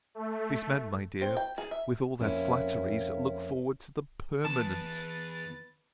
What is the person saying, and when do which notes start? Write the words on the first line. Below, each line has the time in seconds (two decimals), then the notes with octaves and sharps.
These men, my dear, with all their flatteries, look forward to the PERMANENT.
0.15 A3
1.21 C4
1.37 G5
1.58 G#4
1.71 E5
2.19 F2 A#3 C#4 E4
4.45 E2 B4 A5 A6